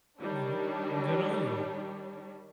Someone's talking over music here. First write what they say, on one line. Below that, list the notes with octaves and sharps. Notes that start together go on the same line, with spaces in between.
Mhm. Good on you.
D#3 G3 D4 C#5